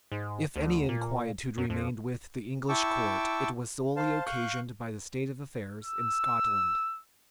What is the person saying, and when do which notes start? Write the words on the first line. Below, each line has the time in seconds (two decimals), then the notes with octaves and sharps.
If any inquietude remained with the English court, it was solely occasioned by the state of affairs in Scotland.
0.12 G#2
0.56 D2
0.89 A#2
1.58 F#2
1.70 F2
2.69 E4 G5 A5 C#6 D6 E6
3.96 C5 F5 A5
4.26 F5 C#6 F#6 G6
5.84 E6